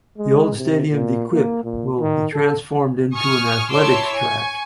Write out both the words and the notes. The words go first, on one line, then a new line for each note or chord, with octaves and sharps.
The old stadium 'De Kuip' will be transformed into an athletics track.
G#3
C3
A#2
A#3
A#2
D#3
A4
G#5 C#6 D#6 F6
E4 C#5 A5 C6 D6 E6
G#5 C#6